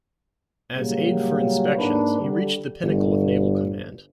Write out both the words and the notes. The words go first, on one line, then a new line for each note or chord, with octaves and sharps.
As Aide for Inspections, he reached the pinnacle of naval command.
A#2 C#3 F#3 G3 A#3
G#2 A#3 D4 A#4 B4
D3 G3
G1